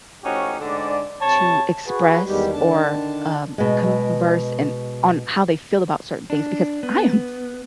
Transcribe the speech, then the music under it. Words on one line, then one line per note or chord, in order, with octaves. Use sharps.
to express or, um, converse and on how they feel about certain things, because I am f
A2 F3 C#4 D#4 F#4 G4
G#2 D3 D5
C3 C#5 A5
F#4 G#4 B4
E2 D#3 G3 G#3 G4
D3 D#3 D4 A5
B2 G#3
D4
B3